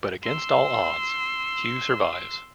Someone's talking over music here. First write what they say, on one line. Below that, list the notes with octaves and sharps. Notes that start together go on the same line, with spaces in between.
But against all odds - Hugh survives.
C6 E6